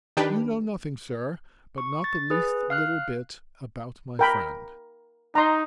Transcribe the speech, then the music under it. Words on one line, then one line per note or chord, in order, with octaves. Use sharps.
"You know nothing, sir--but not the least little bit--about my friend."
D#3 D4 G4 B4
C#6
A6
G#4 B4
F5 F6 F#6
A#4 G5 B5
D#4 A#5 C6